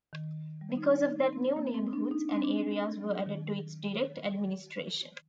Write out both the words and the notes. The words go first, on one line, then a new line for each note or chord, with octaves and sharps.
Because of that new neighborhoods and areas were added to its direct administration.
D#3
G3
D#4
D4
D#4
C4
A#3
C4
D4
D#4
D4
C4
D4
F#3
D#3